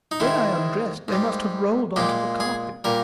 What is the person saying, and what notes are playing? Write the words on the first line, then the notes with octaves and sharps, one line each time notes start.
When I undressed, they must have rolled on to the carpet.
D#4
G#2 D#3 G#3 E4
G#2 G3
A#2 G#3 G4
G#4
A#2 G3 A#4